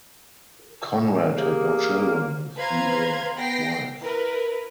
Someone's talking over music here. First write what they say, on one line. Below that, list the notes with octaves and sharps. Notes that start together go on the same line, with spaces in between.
Conrad had no children with either wife.
A#3 G4 G#4
B4 C5 F5 A#5 C6 G#6
B3 G5 A#6 C7
E4 A#4 B4